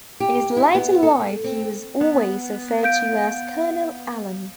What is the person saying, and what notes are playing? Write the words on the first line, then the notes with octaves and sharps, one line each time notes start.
In his later life he was always referred to as Colonel Allen.
G4
E4
B3
A4
C4
B3
F5 G6 D7